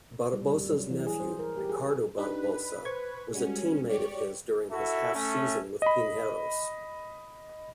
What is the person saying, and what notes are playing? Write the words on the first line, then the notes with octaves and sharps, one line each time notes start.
Barbosa's nephew, Ricardo Barbosa, was a teammate of his during his half-season with Pinheiros.
G3
G3
F#3
E3
G#4
C5
A#4
G4
G#4
D4 D#4 G4 B4
C5 C#6 G#6
G3 G#3 C#4 F#4
G4 C#5 D5
E4 F#4 A4 E5
A3 C#4
D#5 B5